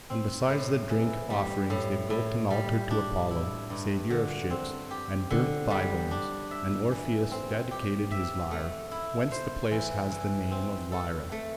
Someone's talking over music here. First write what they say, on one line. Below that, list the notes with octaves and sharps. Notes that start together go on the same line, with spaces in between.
And besides the drink offerings they built an altar to Apollo, saviour of ships, and burnt thigh bones; and Orpheus dedicated his lyre; whence the place has the name of Lyra.
C4
A2
E3
G3
A2
A2
G3
D4
E4
G2
D3
C4
G4
D3
G3
D4
E5
E3
C4
G4
E5
A3
E4
C5
E3
E3
C4
A4
A3